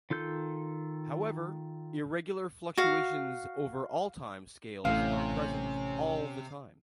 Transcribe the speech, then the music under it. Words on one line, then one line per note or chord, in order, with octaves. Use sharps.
However, irregular fluctuations over all time scales are present all the time.
D#3 F4 A4 G6
F#4 F5
A1 A2 C3 C#4 F5